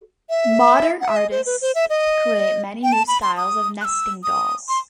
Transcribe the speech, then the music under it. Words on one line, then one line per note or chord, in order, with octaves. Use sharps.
Modern artists create many new styles of nesting dolls.
E5
F#5
E5
D#5
C5
B4
C5
E5
D#5
G5
A5
B5
C6
D#6
F#6
E6
D#6
C6